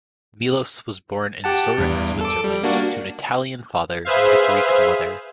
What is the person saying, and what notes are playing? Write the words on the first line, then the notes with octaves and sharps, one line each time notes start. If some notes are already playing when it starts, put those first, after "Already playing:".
Milos was born in Zurich, Switzerland, to an Italian father and a Greek mother.
G4 F#5 A5
E2 G2
A4 D6
G3
A#3 D4 F#4
G#4 B4 C5 E5 F5